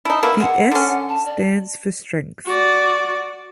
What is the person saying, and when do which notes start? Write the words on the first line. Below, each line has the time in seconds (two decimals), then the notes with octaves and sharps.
The S stands for "Strength".
0.05 D#4 E4 A5
0.23 A#3 B3 E4 B4
0.40 G#3 F#5
0.71 D3 C#4
1.09 A5
1.26 D5
2.46 F#4 D5